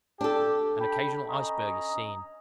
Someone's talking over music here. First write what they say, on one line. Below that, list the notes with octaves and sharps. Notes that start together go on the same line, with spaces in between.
An occasional iceberg is seen.
D4 G4 A4
G5 A5 B5
C#4 D#5 A#5